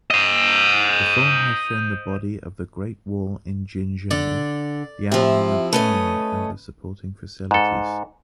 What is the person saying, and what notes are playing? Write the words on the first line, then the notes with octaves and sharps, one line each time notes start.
The form has shown the body of the Great Wall in Jinzhou, Liaoning of China and the supporting facilities.
C5 D#5
D3 D5
C3 F3 E4
A3 C#4 B4 D#5
G#2 A4